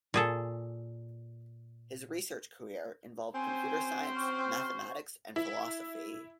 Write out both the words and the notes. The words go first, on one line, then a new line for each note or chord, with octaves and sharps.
His research career involved computer science, mathematics, and philosophy.
A#2 G#4 A4
C4 C#4 F#4 C5 G#5
C#6 F6
E4